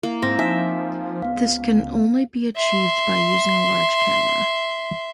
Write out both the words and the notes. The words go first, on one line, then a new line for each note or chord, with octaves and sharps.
This can only be achieved by using a large camera.
A#3 E4
G#2 C4 E4 A#6
F3 D#4 E5 G#5
C#2 B3 F5
E5 C6